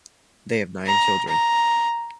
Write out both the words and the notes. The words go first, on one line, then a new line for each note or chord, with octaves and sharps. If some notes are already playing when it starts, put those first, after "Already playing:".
They have nine children.
A#5
A#5